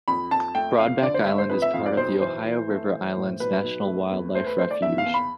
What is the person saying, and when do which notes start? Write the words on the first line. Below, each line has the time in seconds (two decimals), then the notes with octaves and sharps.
Broadback Island is a part of the Ohio River Islands National Wildlife Refuge.
0.08 F2 B5
0.31 F2 A5
0.55 A3 G5
0.79 F2 F5
1.02 D3 D5
1.14 C5
1.26 A3 E5
1.38 C5
1.50 F2 B4
1.62 E5
1.74 F2 F5
1.86 D5
1.97 B1 C5
2.21 E3 C5
2.45 E3
2.69 A3
2.92 E3
3.16 A2
3.40 B1 B4
3.64 B1
3.87 A3
4.11 E2
4.35 A3 C5
4.47 B4
4.58 A3 C5
4.71 D5
4.82 E2 E5
4.98 F5
5.06 E2
5.14 B5